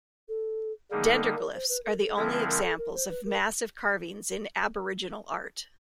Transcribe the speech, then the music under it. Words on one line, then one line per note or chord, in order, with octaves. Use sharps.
Dendroglyphs are the only examples of massive carvings in Aboriginal art.
A4
D3 G3 A#3 D#4 G#4
A4
A4
A#4
C5
B4
A#4
A4
D3 F3 G#3 C4 E4 A4
B4
A#4
A4
A#4
C5
B4
A#4